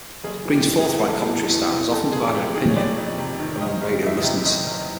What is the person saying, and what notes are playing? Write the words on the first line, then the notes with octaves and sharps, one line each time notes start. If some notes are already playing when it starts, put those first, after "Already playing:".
Green's forthright commentary style has often divided opinion among radio listeners.
F#1 G#4
E3
G4
E2
G#4
C3
F#1 A4
E3
E2
C3
F2 A4
F2 G#4
C3 G4
D#3 G#4
C#5
F2 D5
F2
C3
D#3
F#1 D#5
F#1
E2 E5
D#5
C3
F#1 D#5
F#1